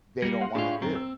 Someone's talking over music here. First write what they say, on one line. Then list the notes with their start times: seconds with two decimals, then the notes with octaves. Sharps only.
they don't wanna do."
0.22 G3 A#3 A#6 C#7 D#7
0.40 F5 F#5 C6
0.55 A2 D4 F4 G#4 G#5
0.82 F#2 C4
0.95 E6